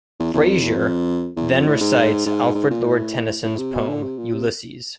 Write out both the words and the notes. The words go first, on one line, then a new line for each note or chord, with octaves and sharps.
Frasier then recites Alfred Lord Tennyson's poem "Ulysses".
E2
E2
F2
E2
F2
E2
F2
A2
G#2
G#2
G#2
A#2
A2
A2
C3
B2
D3
C3
A#2
C3